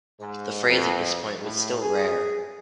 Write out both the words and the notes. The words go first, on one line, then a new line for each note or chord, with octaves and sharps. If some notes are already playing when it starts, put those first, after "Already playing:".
The phrase at this point was still rare.
G#2
F2
A2
G#4